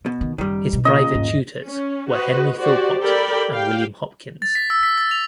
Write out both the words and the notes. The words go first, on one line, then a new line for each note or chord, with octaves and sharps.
His private tutors were Henry Philpott and William Hopkins.
B2
D#3
F#1 D#3 G3
B2
D#2 A#2 C#3 D#5
E2 G#2
C#4
F#4 B4 C5 D#5
F#4 G4 C5 D5
G4 A4 A#4 D5 G5 B5
G4 F5 G5
A6
B6
E6
B6
A6
F7